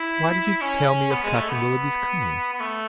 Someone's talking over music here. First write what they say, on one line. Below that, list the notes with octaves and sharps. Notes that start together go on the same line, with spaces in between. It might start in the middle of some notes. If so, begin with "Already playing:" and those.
Why did you tell me of Captain Willoughby's coming?
Already playing: E4
C#4
B3
G#3
A3
B3
B3
A3